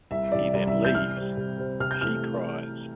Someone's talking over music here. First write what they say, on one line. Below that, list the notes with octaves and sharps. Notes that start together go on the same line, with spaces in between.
He then leaves; she cries.
C2 E5
C3 E3 G3 D5
C2 D5
E5
C3 E3 G3
G6
C3 F6
G3 C4
C3
G3 C4
C3 F6
G6
E3 A3 F6